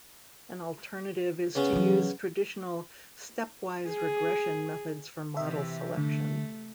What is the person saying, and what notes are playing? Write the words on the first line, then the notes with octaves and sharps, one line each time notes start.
An alternative is to use traditional Stepwise regression methods for model selection.
C#3 B3 C#4
E3 F#3
G#4
C3 E3 G4 E5
D3 A3